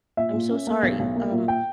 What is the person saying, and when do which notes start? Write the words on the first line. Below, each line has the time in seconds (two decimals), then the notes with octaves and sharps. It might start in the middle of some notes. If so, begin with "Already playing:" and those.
I'm so sorry. Um
0.17 A#2 E5
0.33 A#2
0.51 C#4
0.67 A#3
0.83 B1
0.99 B1
1.15 A#3
1.32 A#2
1.48 G5